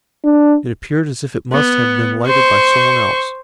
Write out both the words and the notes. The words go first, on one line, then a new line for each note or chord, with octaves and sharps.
It appeared as if it must have been lighted by some one else.
D4
B3
C5 C#6